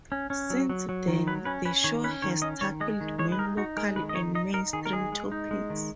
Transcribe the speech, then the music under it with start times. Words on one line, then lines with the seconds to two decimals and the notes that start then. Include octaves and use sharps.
Since then, the show has tackled many local and mainstream topics.
0.12 C#4
0.30 C#4
0.50 F#3
0.70 F#3
0.89 F#3
1.08 D#3
1.27 F#3 B4
1.45 C#4 B4
1.65 C#4 B4
1.84 D#3 C#5
2.04 C#4 B4
2.22 D#3 C#5
2.42 C#4 D#5
2.61 D#3 C#5
2.80 G#3 D#5
3.01 D#3
3.19 G#3 C#5
3.32 B4
3.39 D#4 A#4
3.57 D#4 F#4
3.77 G#3 A#4
3.96 D#3 B4
4.09 D#5
4.15 D#4 C#5
4.35 D#4 D#5
4.54 D#4 A#4
4.73 D#3 G#4
4.85 A#4
4.93 G#3 G#4
5.12 G#3
5.32 D#4
5.51 G#3
5.70 D#3